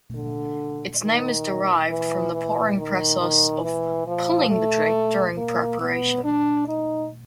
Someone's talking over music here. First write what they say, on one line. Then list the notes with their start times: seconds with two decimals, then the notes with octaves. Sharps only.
Its name is derived from the pouring process of "pulling" the drink during preparation.
0.15 D3
1.02 D#3
1.89 E3
2.32 E3
2.76 D#3
3.20 D#3
3.63 E3
4.07 F3
4.50 A3
5.37 A#3
5.80 B3
6.24 D4
6.68 D#4